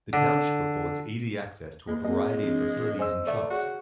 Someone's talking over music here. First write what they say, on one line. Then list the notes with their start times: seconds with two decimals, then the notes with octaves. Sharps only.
The township affords easy access to a variety of facilities and shops.
0.13 D3
1.87 G#3 A#3
2.04 A#3 C4 G#4 D#5
2.43 E3 C4 D4
2.99 C5 D#5 G#5 E6
3.27 A3 D5 E5
3.50 F#4 G#4 C#5